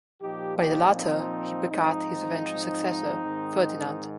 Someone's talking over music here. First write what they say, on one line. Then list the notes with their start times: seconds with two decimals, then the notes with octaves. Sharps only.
By the latter, he begat his eventual successor, Ferdinand.
0.21 A#2 F3 D#4 G4
0.58 D#4 G4
0.95 C4 D#4
1.70 G#2 F3 C4 D#4
3.20 G#2 D#3